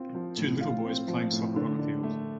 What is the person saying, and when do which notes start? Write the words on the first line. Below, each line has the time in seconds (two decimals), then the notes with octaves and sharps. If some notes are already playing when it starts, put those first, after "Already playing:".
Two little boys playing soccer on a field.
Already playing: C4 F4
0.15 F3
0.37 A2
0.61 F4
0.84 C4
1.08 F3
1.32 A2
1.56 D3
1.79 D4
2.03 A3